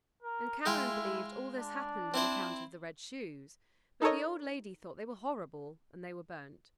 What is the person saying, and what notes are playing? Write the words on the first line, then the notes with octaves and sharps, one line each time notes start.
And Karen believed all this happened on account of the red shoes, but the old lady thought they were horrible, and they were burnt.
A#4
G#3 E4 F4 G5
D4
C4 E4 C5
D#4 A4 A#4 C#5 D#5